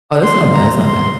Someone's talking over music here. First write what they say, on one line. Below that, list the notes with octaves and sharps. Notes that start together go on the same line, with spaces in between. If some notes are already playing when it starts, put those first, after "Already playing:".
Oh, that's not bad, that's not bad.
C6
A#5
C6